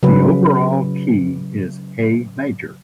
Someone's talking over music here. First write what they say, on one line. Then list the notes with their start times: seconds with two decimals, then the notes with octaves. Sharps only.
The overall key is A major.
0.03 C#3 F#3 B4